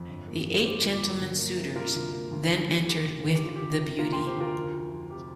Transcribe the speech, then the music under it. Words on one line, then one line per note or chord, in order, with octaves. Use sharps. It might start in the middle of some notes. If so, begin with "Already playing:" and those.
The eight gentleman suitors then enter with The Beauty.
Already playing: F2
G1
A#3
F2
F3 G4 C5
G1
G4
A#3
D2
A#3
C3
G3 F4 A#4
D2
A#3
D2
D2
D3
A#3 G4
D2
D2 A#4
G4
D2 F4
G4
D2
C3
A#3 F4 A#4
G5 C6
D2
G4 C5
D2 F4 A#4
F1
F3
F2
C3 G4